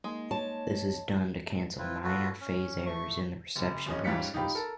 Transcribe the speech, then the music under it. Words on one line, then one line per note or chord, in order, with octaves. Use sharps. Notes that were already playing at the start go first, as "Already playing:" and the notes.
This is done to cancel minor phase errors in the reception process.
G#3 A#3 D#4
C#5 A5
C4 E4 F4 B4
F4 F#4 A4 B4
C#4
A3 C#6
F#1
D#1 C#4 D#5
G#2 G3 C#4 F4 B6 C#7
D#4 F4 G4 B5
A4 A#4